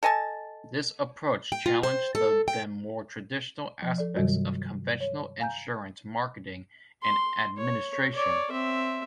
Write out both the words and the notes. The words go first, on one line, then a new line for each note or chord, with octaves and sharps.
This approach challenged the then more traditional aspects of conventional insurance marketing and administration.
A4 D#5 G#5 A5
G5
F4
C5
A4
G5
F3
A4 D5
G2 C3 D#3 F#3 G3 F#4
C#5
F5 G#5 A#5 G6
C6
C#5
C#5 D5
C4 E5